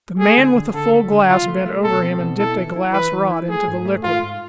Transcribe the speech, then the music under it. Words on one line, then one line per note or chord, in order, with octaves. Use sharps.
The man with the full glass bent over him, and dipped a glass rod into the liquid.
A3 G#4
D3
D3
D3 A4
A3
D3
C2 F4
A3
A3
B2 A4
C4
B2
E4 A4
E3
E4
E3 B4
E3
E4
A3 G#4
G#2
A3
G#2 F4
G#2